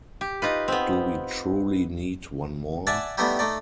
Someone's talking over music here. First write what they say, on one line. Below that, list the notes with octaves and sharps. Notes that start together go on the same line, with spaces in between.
Do we truly need one more?
G4
D#4 F4 B4
B3 C4
D5 E5 F#5 G#5 A5
G3 A3 B3 D#4 E4 G4
A3 D#4 D5